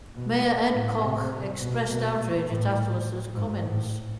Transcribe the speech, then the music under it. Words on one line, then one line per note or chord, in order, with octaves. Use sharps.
Mayor Ed Koch expressed outrage at Atlas's comments.
B2
A2
C3
B2
B2
A#2
A2
G#2
A2